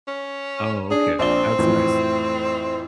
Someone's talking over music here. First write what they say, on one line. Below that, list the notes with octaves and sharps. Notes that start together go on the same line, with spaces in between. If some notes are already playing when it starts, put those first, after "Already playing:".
Oh, okay. That's nice.
C#4
D4 G#4
A#1 C4 D5 G7
F2 A2 E3